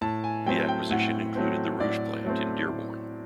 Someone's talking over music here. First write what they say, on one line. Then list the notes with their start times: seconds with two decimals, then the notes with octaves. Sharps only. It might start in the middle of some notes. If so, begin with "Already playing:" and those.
The acquisition included the Rouge Plant in Dearborn.
0.01 A2 A5
0.24 G#5
0.46 F#3 A3 C4 G5
0.68 G5
0.90 A2 F#5
1.35 F#3 A3 C4
1.80 A2 D5
2.25 F#3 A3 C4
2.69 A2